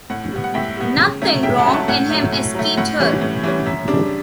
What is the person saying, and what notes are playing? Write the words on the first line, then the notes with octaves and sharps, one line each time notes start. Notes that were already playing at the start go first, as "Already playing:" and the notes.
Nothing wrong in him escaped her.
A2 F#5
G3 B3
F#5
A2 E5 G5
G3 B3
C#3
F#3 A3 C#4
C#3 E5 G5
F#5 A5
F#3 A3 C#4
F#5 A5
A2 F#5
F#3 A3
A2
F#3 A3
A2 F#5
E3 G3 C#4
A2
E3 G3 C#4
F#2 E5
C#3 G3 D4